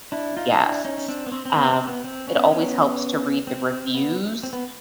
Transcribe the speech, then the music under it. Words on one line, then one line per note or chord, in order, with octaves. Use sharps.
guests. Um, it always helps to read the reviews,
D4 E4
D#4 F4
D4 E4
C#4 D#4
C#4
C4 D4
B3
C4
C4
B3
C4
B3
C4
B3 C#4
B3 C#4
C4
B3
C4
B3